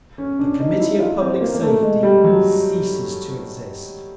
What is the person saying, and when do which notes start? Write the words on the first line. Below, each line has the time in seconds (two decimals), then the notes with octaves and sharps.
The Committee of Public Safety ceases to exist.
0.18 C#4
0.39 D4
0.60 D#4
0.80 E4
1.00 F4
1.21 C4
1.41 A#3
1.54 A#3
1.63 A3
1.83 G#3
2.03 G3
2.24 F#3